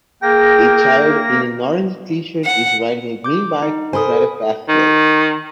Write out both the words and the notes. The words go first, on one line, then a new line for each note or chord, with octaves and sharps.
A child in an orange tshirt is riding a green bike beside a pathway.
A#3 G#4 G5 A#6
F#5
D6 G6
D#4
A4 A#4 C5 G#5 B5 D#6
D#3